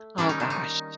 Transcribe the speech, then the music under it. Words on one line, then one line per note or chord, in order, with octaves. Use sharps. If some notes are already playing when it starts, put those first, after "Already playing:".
Oh, gosh.
Already playing: A3
D#3 G3 A#3 C#4 D4
D#4
D4
D#4